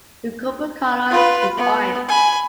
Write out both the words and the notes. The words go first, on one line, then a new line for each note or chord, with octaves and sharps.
The corporate colour is orange.
F4 B4
B3
G#5 B5